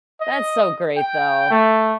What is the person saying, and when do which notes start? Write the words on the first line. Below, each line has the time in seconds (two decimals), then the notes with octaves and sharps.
that's so great, though.
0.21 D#5
0.97 G5
1.51 A3